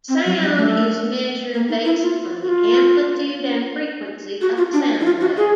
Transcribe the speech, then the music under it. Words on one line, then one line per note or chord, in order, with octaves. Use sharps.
Sound is measured based on the amplitude and frequency of a sound wave.
C4
F#3
G3
A3
A#3
D#4
E4
F4
F#4
F4
F#4
F4
D4
E4
F4
F#4
G#4